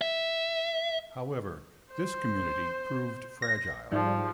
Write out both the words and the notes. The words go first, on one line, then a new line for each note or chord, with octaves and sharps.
However, this community proved fragile.
E5
C5
A#6
G#2 F3 G3